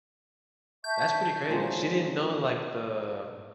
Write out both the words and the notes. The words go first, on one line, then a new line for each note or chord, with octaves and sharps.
That's pretty crazy. She didn't know, like, the
E5 A5 C#6 G6
A#2 F3 F#3 G#3